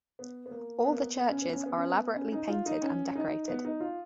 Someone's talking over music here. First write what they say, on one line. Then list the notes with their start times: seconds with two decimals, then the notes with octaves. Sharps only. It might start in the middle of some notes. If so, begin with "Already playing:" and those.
All the churches are elaborately painted and decorated.
0.19 B3
0.46 B3
0.51 A#3
0.84 B3
0.92 A#3
1.01 B3
1.17 B3
1.30 C#4
1.42 B3
1.53 C#4
1.66 B3
1.77 C#4
1.90 B3
2.16 C#4
2.32 D#4
2.49 F4
2.66 D#4
2.82 C#4
3.15 D#4
3.48 B3
3.65 D#4
3.80 F4